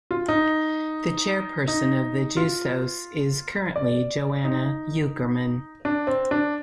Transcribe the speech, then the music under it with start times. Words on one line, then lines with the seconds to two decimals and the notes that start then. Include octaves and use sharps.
The chairperson of the Jusos is currently Johanna Uekermann.
0.11 F4
0.28 D#4
1.68 D#4
2.37 F4
3.76 D5
4.45 D#4
5.85 D4
6.07 C4
6.31 D4